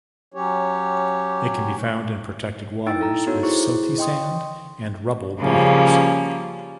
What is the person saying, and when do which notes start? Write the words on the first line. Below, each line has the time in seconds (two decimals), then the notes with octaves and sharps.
It can be found in protected waters with silty sand and rubble bottoms.
0.34 F#3 C#4 G4 C#5
2.86 D#4 E4 G5 E6 A6 D7
3.01 A4 A#5
3.27 B3 D#4 F#4 A4 C#5
3.43 E4 G#4 C5 C#6
3.98 D#5 G5 C6 D#6
5.41 C#3 F3 G3 A#3 C#4